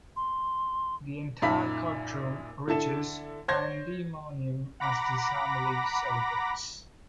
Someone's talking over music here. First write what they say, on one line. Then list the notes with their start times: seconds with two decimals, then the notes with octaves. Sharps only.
The entire courtroom reaches pandemonium as the family celebrates.
0.16 C6
1.42 F#2 A#2 D#4 E5 B5 B6
2.68 D3 E4 A4 E7
3.48 C5 C#5 C6 G6 G#6 A#6
4.80 F#5 A#5 B5 D6 A#6